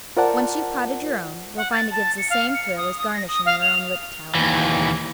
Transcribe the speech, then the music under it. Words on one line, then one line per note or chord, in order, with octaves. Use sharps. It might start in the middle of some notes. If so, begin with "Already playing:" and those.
Once you've potted your own, you'll find it gives the same thrill as garnishing your own Liptauer.
F4 A#4 C5 D5 F#5 A5
F#5
A6
A5
C#7
F5
C#7
D#6
D#6
A#6
D#6
F5
F7
D#2 E3